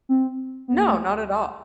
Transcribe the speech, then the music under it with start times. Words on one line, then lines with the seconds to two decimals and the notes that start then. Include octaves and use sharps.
No, not at all.
0.09 C4
0.68 B3
0.78 A#3
0.88 A3